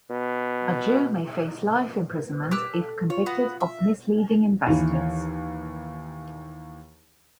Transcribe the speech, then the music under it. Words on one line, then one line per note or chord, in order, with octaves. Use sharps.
Raju may face life imprisonment if convicted of misleading investors.
B2
G4 D6 E6 F#6
A4
F4 C#5
B3 F#4 F#5
E5
D#2 E3